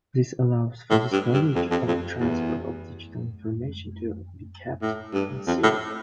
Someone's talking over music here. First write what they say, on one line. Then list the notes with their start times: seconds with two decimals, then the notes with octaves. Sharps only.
This allows for the storage or transfer of digital information to be kept concealed.
0.90 A2
1.12 G2
1.34 G2
1.56 F2
1.71 F2
1.88 F2
2.20 E2
4.82 A2
5.14 G2
5.47 F2
5.63 A2